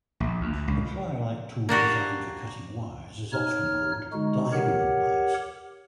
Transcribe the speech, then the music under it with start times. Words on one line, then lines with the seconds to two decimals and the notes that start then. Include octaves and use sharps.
A plier-like tool designed for cutting wires is often called diagonal pliers.
0.20 A#1
0.41 D2
0.68 C#2
1.69 A#3 D4 F#4 G4
3.33 D#4 C#5 F6
4.13 D3 G#3 D#4 F#4
4.53 G4 A#4 C#5 F#5